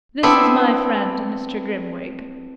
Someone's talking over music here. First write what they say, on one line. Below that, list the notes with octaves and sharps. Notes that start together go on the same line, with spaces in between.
'This is my friend, Mr. Grimwig.
B3 C4 D4 E4 E5